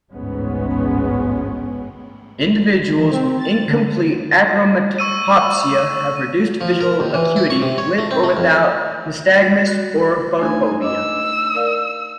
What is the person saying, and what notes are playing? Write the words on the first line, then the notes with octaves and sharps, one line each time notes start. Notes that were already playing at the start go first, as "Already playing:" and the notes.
Individuals with incomplete achromatopsia have reduced visual acuity with or without nystagmus or photophobia.
A1 D2 G#2 G#3 B3 C#4
E3
C4
A6
D3
C#6 E6 D#7
F3
A#4
D#2
E3
E4
C#6
C3
C#5
A3
C4
A3
F2
F#4
A3 D4 D#4 G#5
D#5 D6 E6
A#4 D5 F5